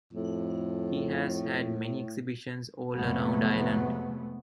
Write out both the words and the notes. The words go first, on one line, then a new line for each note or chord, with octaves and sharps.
He has had many exhibitions all around Ireland.
F2 A2
F2 C3 F#3 G#3 A3 B3